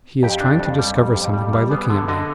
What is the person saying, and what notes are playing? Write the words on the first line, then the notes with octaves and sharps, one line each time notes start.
He is trying to discover something by looking at me!
F2 G4
D4
F2
G3
G3
F2
G3
G3
B3 G#4
D3
D3 D#5